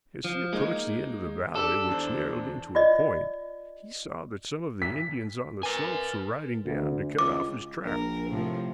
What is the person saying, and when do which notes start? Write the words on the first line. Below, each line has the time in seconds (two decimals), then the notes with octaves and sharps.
As he approached the end of the valley, which narrowed into a point, he saw that some of the Indians on the slopes were riding down to cut off his track.
0.24 F3
0.53 G#3 A#3 D#4
1.56 D4 G4 A4 D5
1.89 E2 D4 C5
2.75 F4 D5 D#5
4.82 B6
5.63 A#4 B4 G#5
6.65 D2
7.19 C#2 D6
7.85 A#1 A#4
8.29 A2 C3 F3